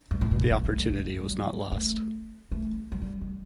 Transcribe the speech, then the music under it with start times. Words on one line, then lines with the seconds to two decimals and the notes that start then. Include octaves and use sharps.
The opportunity was not lost.
0.11 G2
0.21 A2
0.31 A#2
0.41 D3
0.51 A#3
0.65 A3
0.78 G3
0.91 D#3
1.21 G3
1.31 F#3
1.72 A3
2.52 A3
2.92 F#3
3.02 G3
3.21 D#3